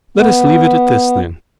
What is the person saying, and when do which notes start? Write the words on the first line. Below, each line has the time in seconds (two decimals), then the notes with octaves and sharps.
Let us leave it at this then.
0.17 B3